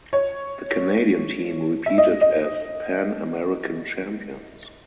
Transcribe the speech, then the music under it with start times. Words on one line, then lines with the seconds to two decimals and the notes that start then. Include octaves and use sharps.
The Canadian team repeated as Pan American Champions.
0.13 C#5
1.86 E5
1.98 D#5
2.21 D#5